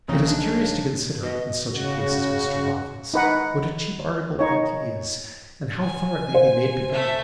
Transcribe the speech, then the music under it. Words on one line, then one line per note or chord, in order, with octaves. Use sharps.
It is curious to consider, in such a case as Mr Boffin's, what a cheap article ink is, and how far it may be made to go.
A#1 C#3 C4 D#4
D4
B2 D#5
C#3 F#4
D#4 B4 F#5
D#4 C#5
G#5
C5
A3 E5